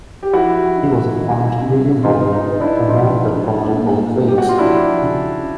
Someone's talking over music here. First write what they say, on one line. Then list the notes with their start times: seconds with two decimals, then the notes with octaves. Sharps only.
He was a fast medium bowler who moved the ball both ways.
0.23 G4
0.33 F3 E4 F#4
0.76 D#4
1.19 D#3
1.62 C3
2.03 D#3 D#4 F4
2.32 D#4
2.46 B3
2.60 D4 E4
2.88 F3 D#4 F4
3.31 D4
3.74 A#2
4.17 G#3
4.28 G4
4.38 F#4
4.49 F4
4.58 F3 D4 E4
5.02 C#3